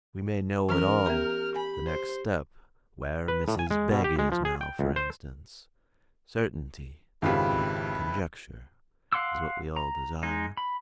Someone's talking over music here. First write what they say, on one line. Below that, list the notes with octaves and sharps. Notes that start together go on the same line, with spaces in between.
"We may know it all, the next step; where Mrs. Begg is now, for instance. Certainty, not conjecture, is what we all desire."
E3 C#4 A#4 F6
B3 G4 E5 A#5
G#5 B5
C5
B4
A2
G#5
G#3
B2
G4
G#3
F3
G#4
G5
C#2
C5
G#1 F2 C#3 E4 F4 G4 B4
F5 F#5 C6 D6 E6
A#5
G#3 D#4
B5